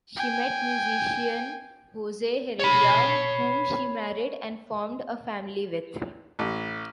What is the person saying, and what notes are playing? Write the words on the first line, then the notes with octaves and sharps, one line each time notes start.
She met musician Jose Heredia, whom she married and formed a family with.
G5 G#5
C#5 B5
A1